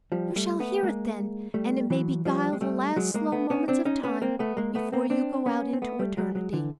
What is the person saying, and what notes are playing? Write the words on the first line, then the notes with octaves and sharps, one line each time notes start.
"You shall hear it, then, and it may beguile the last slow moments of time before you go out into eternity."
F3 G3
G3 A3
A3 B3
G#3 A#3
G3 A3
E3 F#3
F3 G3
G#3
G3 A3
F#3 G#3
G#3 A#3
A3 B3
B3 C#4
C4 D4
C#4 D#4
B3 C#4
A#3 C4
A3 B3
G#3 A#3
A3 B3
A#3 C4
C4 D4
B3 C#4
C4
A3 B3
G3 A3
F#3 G#3
F#3 G#3
D3 E3